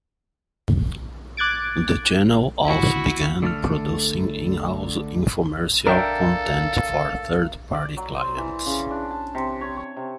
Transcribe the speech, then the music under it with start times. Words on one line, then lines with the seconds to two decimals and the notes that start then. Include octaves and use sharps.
The channel also began producing in-house infomercial content for third party clients.
1.37 D6 F#6 G#6 A6 D7
2.64 E4 F#4
3.42 D3 A3 A4 F6
5.87 D4 A4 A#4 E5 F5 G5
7.74 D5
7.97 F#3
8.16 C5
8.37 E3
8.66 C#3
8.91 D4
9.11 A5
9.35 C3
9.61 C#5
9.76 C#5
9.97 C3